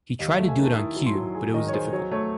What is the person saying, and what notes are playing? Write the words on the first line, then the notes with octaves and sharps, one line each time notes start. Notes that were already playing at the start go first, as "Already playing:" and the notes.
He tried to do it on cue, but it was difficult.
D#2 D#5
A3 E5
G#5
D#3 A5
E4 D#6
F#3
C6
F#3
G#4
D#3 D#5
C#5
G#4 C5
F#3 C#5
A3 C#5